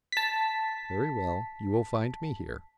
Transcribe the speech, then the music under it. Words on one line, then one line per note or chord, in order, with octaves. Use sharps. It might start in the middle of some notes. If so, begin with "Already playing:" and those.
"Very well; you will find me here."
A5 B6